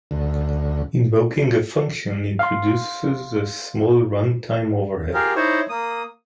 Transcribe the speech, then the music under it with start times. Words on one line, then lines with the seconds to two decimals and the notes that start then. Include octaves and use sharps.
Invoking a function introduces a small run-time overhead.
0.11 D2
2.39 F5 C6
5.14 F4 G4 G#4 A#4
5.36 D#4 E4 C5 C#5
5.69 A#3 D#6